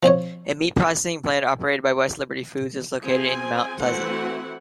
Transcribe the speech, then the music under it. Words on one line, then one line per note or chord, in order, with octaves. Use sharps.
A meat processing plant operated by West Liberty Foods is located in Mount Pleasant.
F3 C4 C5 C#5
F3 C4 G#4 G#5
E3 A3 C4 E4 F#4 F#5